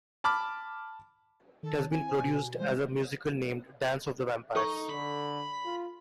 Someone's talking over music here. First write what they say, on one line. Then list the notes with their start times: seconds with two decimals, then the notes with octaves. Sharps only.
It has been produced as a musical named "Dance of the Vampires".
0.24 A5 B5 D6 F6
1.63 D#3 A4
1.91 C4 E4 G#5
2.09 C5 F#5
2.23 B2 F#4 G4
2.57 E3 G3 G#3 C5
4.56 D#4 A4 C#6
4.89 D3 B5
5.65 F4